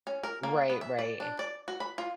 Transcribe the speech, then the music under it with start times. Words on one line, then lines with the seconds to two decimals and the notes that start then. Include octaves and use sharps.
Right, right.
0.07 C#4
0.23 A#4
0.43 A#3
0.70 B3
0.81 E5
0.99 D5
1.20 D4
1.39 D5
1.68 F#4
1.80 B5
1.98 F4